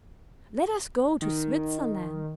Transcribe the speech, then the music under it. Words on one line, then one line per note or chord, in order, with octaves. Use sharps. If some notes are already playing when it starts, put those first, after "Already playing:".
Let us go to Switzerland!
D#3